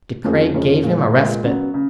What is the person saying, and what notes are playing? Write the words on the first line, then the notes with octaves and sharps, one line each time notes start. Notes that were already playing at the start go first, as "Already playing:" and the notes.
De Craye gave him a respite.
F2 F3 A#3 C#4 G#4
F2 F3 A#3 C#4 G#4
A#2 G#3 B3 F4
A#2 G#3 B3 F4
C#3 F#3 B3
C#3